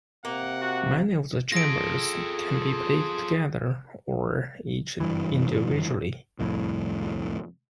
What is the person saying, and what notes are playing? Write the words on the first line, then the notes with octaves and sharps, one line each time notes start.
Many of the chambers can be played together or each individually.
C3 A#3 F#5
F#4
F4 G#4 A4 A#6 D7
F#1 G2 E3
D1 C2 F2 A2